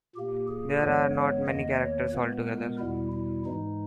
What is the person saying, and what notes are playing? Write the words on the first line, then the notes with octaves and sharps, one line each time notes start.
There are not many characters altogether.
A#2 A#3 G4
G#4
G2 E3 G#3 B3 C#5
C#5
E2 D#3 A#3 D#5
C#5
A#2 G#3 B3 B4
A#4
E2 B2 G3 E4
E4
G#2 E3 G#3 D#4